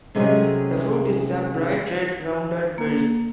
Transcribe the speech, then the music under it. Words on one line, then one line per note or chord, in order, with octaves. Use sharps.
The fruit is a bright red rounded berry.
C3 F#3 G#3 A3 C#4 G#4
A#3